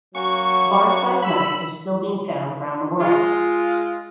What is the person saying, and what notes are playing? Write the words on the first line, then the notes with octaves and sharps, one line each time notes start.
Large size nuggets are still being found around the world.
F#3 A#3 C#4 F#4 C#6
B5 E6
G#3 F4